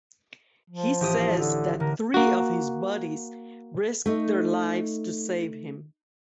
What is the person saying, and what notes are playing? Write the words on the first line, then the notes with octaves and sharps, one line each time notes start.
He says that three of his buddies risked their lives to save him.
F3
A1 G4 D#6
D3
D3 A#4
A#3 F#4
A3 D#4